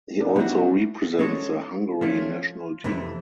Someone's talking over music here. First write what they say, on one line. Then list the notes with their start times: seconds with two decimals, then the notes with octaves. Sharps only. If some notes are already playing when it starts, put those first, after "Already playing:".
He also represents the Hungary national team.
0.20 D4
0.28 D#4
0.36 G3 B3 D4 E4 F#4
1.19 G#3 C#4 F#4 A4 C#5
2.01 F3 A3 C#4 F4
2.84 F2 C3 E3 A3